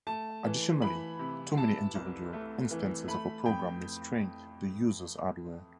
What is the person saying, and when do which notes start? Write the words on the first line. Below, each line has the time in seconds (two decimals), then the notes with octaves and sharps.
Additionally, too many individual instances of a program may strain the user's hardware.
0.07 A3 A5
0.44 E3
0.82 E3 B5
1.19 C3
1.57 C3 A5
1.95 C2
2.33 A3
2.71 E3
3.08 A3 B5
3.45 F2 G5